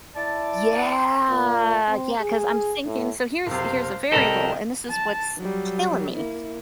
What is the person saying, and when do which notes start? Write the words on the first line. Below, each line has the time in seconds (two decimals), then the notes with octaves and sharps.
Yeah. Yeah, 'cause I'm just thinking so here's here's a variable, and this is what's killing me,
0.16 E4 D5 A5
1.28 A#2
1.88 C4
2.20 G#4
2.86 A2
3.47 F#1 C3 C5 F5
4.12 C2 C4 G4 A4 A#4 D#5 G5
4.90 A5
5.38 F#3 G3
6.15 A#3 E4